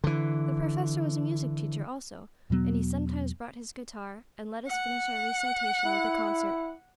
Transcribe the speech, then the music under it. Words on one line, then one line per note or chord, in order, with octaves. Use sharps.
The professor was a music-teacher also, and he sometimes brought his guitar, and let us finish our recitation with a concert.
D3 E3
E2 B2 F#3 B3
F#5
E4